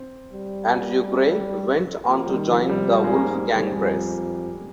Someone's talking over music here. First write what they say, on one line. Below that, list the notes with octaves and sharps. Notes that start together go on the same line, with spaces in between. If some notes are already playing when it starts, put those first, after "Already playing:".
Andrew Gray went on to join The Wolfgang Press.
Already playing: C4
G3
F3 A#3
G3
D#3
F3
C3
G3
A#2 G3
G#3
A#3
G#2
G#3
G#2
G3
G#3
F2 G3